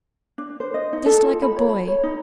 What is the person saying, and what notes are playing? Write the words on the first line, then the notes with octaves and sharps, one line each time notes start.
Just like a boy!
D4
C5
D#5
D#4
A4
F4
B5
C#5
B5
C#5
D#4